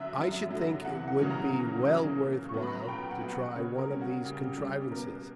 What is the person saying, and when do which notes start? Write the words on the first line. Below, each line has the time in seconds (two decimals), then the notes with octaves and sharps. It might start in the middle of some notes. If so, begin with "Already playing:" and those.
I should think it would be well worth while to try one of these contrivances.
Already playing: F#2 D3 F#3 E5
0.17 F#2
0.50 D3 F#3
0.85 E2 F#5
1.08 F#5
1.18 C#3 F#3 A#3 C#4
1.30 A#5
1.53 E2
1.86 C#3 F#3 A#3 C#4
2.20 A#2
2.49 C#6
2.54 F#3 B3
2.62 B5
2.75 A#5
2.88 A#2 G5
3.11 F#5
3.22 F#3 B3
3.34 F#5
3.56 C#3 C#5
3.78 A#4
3.89 G3 C#4
4.01 F#4
4.24 C#3 G4
4.57 G3 C#4 G4
4.91 B2 A#4